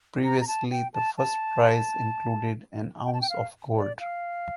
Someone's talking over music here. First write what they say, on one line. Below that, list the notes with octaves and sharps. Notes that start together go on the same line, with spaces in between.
Previously, the first prize included an ounce of gold.
A#5
A#5
A5
G5
A5
A5
G5
A5
G5
F5
D5
F5